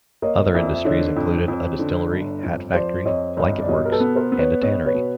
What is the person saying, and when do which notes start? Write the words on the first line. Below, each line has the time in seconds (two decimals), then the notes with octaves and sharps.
Other industries included a distillery, hat factory, blanket works, and a tannery.
0.22 A#3 C#5 D#5
0.54 F2 D5 E5
0.74 E5
0.85 D3 C#5 D#5
1.16 F2
1.48 F2
1.79 D3
2.11 G1
2.43 F2
2.73 F3 C5 D5
3.05 F2 C#5 D#5
3.37 G1 C#5 D#5
3.61 D5
3.68 B2 C#5 D#5
3.85 A#4
3.91 A4 B4
4.00 B3
4.15 A#4 C5
4.32 B3
4.39 B4 C#5
4.62 B3 C#5 D#5
4.86 B4 C#5
4.94 B2